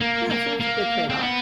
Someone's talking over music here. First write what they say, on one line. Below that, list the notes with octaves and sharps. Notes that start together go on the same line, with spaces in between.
Yeah, so it's a good trade-off.
A#3
A#3
A#3
C4
B3